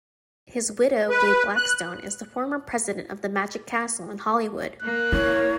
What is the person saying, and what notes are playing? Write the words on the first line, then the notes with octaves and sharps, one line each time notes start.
His widow, Gay Blackstone, is the former president of The Magic Castle in Hollywood.
B4
F#6
A#3 F#6
E4 C#5